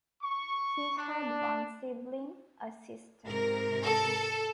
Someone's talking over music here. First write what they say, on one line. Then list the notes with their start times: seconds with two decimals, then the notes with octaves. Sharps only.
He had one sibling, a sister.
0.22 C#6
0.97 D4
3.27 G#2 C3 A#4
3.83 A4